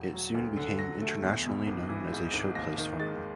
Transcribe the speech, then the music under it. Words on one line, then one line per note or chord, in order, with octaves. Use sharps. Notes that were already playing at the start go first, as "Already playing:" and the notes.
It soon became internationally known as a showplace farm.
Already playing: E1
F#3
D2
D3
F#3 A#6
A3
E2
B2
G#1
E3
G#2
G#1
D#2 A#6
D#3
G#3 A6